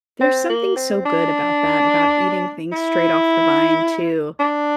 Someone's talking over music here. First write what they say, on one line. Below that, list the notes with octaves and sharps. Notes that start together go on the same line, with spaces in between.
There’s something so good about that, about eating things straight off the vine too.
C4
A#3
C4
D4
E4
D4